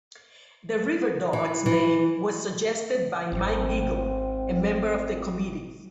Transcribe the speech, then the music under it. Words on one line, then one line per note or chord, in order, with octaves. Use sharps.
The "Riverdogs" name was suggested by Mike Geigel, a member of the committee.
E3
E3
G#1 C4